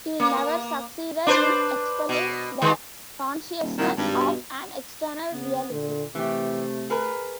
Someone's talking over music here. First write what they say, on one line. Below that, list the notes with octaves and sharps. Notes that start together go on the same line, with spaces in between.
He never succeeded in expelling the consciousness of an external reality.
A#3
D4 B4 C5
B2
D#3 G#3
D#1
C2 A#2 D#3 F#3
G#1 G2
B2
C#3 B3
A#2 D3
C3 E3 A3 G4
G#4 A#4 B4